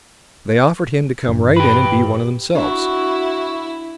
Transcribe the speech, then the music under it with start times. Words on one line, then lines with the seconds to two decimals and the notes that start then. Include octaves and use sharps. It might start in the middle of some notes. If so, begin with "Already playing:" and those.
They offered him to come right in and be one of themselves.
1.28 G2 E3 D4
1.56 G4 B4
2.55 D4 E4 F#4